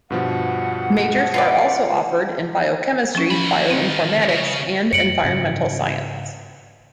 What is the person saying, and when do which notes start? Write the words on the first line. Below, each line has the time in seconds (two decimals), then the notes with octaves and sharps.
Majors are also offered in Biochemistry, Bioinformatics, and Environmental Science.
0.10 G2 B2 F3 F#5
1.34 F4 B4 D5
3.15 F3 C#4
3.31 D#3 B5
3.71 C4
4.29 C#3
4.93 F#2 F#3 C#7 D7 F#7
5.24 G#2 C#3 C#4